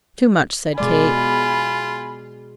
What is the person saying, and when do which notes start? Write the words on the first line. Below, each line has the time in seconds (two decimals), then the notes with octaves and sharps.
"Too much!" said Kate.
0.78 B2 G#3 F4 D5 G#5 B5